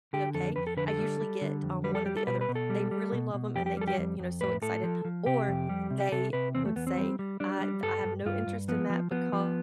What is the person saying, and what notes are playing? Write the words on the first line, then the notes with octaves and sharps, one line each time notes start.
okay, I usually get, um, one or the other; they really love 'em and they get, you know, so excited, or they would say, "I th I have no interest in that because"
D3 G4
F2 A4
F2 B4
A4
D3 B4
A4
G3
G3
D3
F2
G3 B4
A4
G3 G4
A4
B2 B4
B4
B2
A4
G3
G3
B2
B2
F2 G4
G4
G3 A4
G4
F2
F2
A2 B4
A2 A4
F3
F3
C3 G4
F2
G3
C3
G4
C3 A4
C3 B4
E2 C4
A3
E2 B3
C4
G3
G3
G3 D4
G3
G2 A4
G2
G2 F4
G2
F3 B3
F3
F3 B3
F3